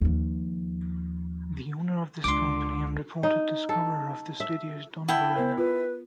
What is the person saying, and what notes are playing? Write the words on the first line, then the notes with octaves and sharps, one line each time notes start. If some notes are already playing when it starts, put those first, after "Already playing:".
The owner of this company and reported discoverer of this video is Don Warrener.
D#2 F3
C#2 D3 C6 D6
D#4
A4
E5
E4 F#5 G5 A5
B3 A#4 C5
F4 B4